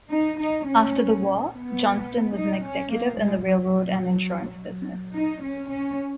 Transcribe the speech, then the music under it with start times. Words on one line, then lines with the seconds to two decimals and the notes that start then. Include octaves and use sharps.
After the war, Johnston was an executive in the railroad and insurance businesses.
0.10 D#4
0.39 D#4
0.66 C#4
1.50 B3
2.35 D#4
2.63 C#4
2.91 A#3
3.19 G#3
3.47 F#3
5.15 D#4
5.43 C#4
5.71 C#4